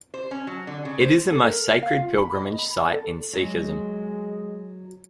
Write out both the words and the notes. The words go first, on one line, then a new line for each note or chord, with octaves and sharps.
It is the most sacred pilgrimage site in Sikhism.
C5
C#4
F#3
D3
C#3
C5
A4
A#4
F5
F4
B5
D#5
B5
D5
A4
F#3 G#3